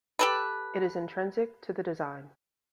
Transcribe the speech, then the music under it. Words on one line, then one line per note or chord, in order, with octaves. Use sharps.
It is intrinsic to the design.
G4 A4 B4